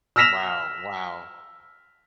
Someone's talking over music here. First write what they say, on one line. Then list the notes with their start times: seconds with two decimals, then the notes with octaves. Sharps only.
Wow, wow.
0.16 E6 F6 A#6 B6 E7 F7